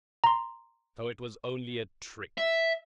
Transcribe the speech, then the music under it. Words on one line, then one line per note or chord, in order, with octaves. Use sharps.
So it was only a trick!
A#5 C6
E5